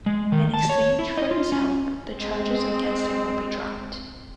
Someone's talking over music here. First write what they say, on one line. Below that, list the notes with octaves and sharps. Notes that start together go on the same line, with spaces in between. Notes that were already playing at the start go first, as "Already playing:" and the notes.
In exchange for his help the charges against him will be dropped.
G#3
D#3
A5
C#5
E4
D#5
F4
C#4
G#3 C4